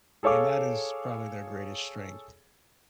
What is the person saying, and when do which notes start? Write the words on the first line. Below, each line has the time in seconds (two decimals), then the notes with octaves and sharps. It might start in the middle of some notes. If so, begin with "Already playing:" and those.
and that is probably their greatest strength.
0.23 G#4 A4 C#5 F5 D6